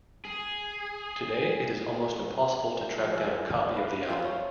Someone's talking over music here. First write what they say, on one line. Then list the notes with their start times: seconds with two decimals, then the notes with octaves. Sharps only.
Today it is almost impossible to track down a copy of the album.
0.25 G#4
2.96 F3
3.15 G#4 E5
3.74 B4 F5 B5
4.06 F4 C5 E5 F5
4.24 C#5